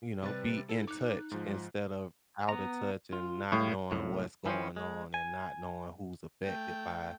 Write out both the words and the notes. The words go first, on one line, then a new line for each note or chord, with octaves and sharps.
you know, be in touch, instead of out of touch and not knowing what's going on and not knowing who's affected by
C3 G3 B4 A6
E4 A4
D#4 D6 F#6
G#2 F3
B3 A#5
F4
A2 G3 G#3 F5
C2 F#2 A2
E3 F3 A#3 C4 C#4
G#3
G#5
A3 G5